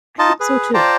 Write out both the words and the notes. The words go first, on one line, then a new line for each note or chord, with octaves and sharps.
I think so too.
D#4 F4 D#5 A5
G#4 B4
F4 C5 D5 G5 A5 A#5